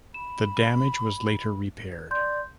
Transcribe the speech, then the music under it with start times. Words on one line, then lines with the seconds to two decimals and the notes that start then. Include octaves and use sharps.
The damage was later repaired.
0.14 B5 E7
2.11 D5 C6 G6